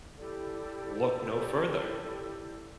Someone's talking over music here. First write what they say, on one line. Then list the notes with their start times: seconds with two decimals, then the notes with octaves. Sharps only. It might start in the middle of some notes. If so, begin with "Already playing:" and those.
Look no further!
0.18 E4 G4 A4 D5